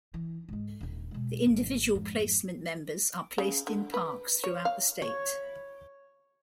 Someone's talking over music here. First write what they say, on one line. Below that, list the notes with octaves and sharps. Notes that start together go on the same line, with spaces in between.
The Individual Placement members are placed in parks throughout the state.
E3
G#2 G#3
D#1 D#4
B2 G#3
G#1 D4
F2 G#2
C#3
D3
B4
C#5
F5
C#5